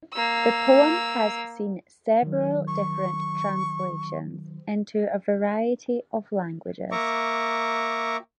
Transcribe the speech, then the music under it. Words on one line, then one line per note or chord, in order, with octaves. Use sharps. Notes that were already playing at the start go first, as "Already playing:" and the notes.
The poem has seen several different translations, into a variety of languages.
A#3 E6
D#3 F#3
C#6
A#3 E5 A#5 C#6 D6